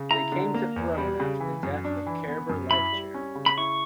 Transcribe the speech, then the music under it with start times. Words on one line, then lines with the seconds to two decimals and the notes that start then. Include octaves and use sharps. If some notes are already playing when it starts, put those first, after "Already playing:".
They came to throne after the death of Cairbre Lifechair.
Already playing: C#3
0.11 E4 A#5
0.32 D3
0.54 A#3
0.76 E2
0.98 G3
1.20 C#3
1.40 E3
1.63 F#2
1.85 D4
2.07 E3
2.28 B3
2.50 F#2
2.71 E4 B5
2.92 G3
3.14 C#4
3.35 C#3
3.46 B5
3.58 E4 C#6